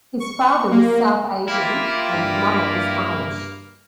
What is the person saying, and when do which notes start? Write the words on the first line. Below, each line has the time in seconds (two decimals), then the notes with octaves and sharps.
His father is South Asian and mother is Irish.
0.20 C#6
0.71 A#3
1.48 A#3 E4 F4 G4
2.15 G2